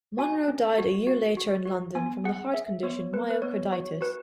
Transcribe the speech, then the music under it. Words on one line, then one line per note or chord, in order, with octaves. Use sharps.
Munro died a year later in London from the heart condition myocarditis.
F#4 G#5
C#4
F#4
F#4
F#4
F#4
B3 G#5
G#4 F#5
G#4 E5
B3 C#5
B3 B4
B4
B3 C#5
F#4 C#5
F#4 B4